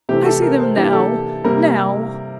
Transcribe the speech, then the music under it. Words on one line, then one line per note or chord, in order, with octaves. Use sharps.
I see them now--now!'
C3 E3 A3 C4 G4
A4
A#4
C5
C3 E3 A#3 D4 G4
A4
C3 G3 A#3 A#4